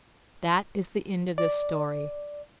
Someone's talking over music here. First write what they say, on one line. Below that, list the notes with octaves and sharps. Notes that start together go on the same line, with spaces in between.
That is the end of this story.
D5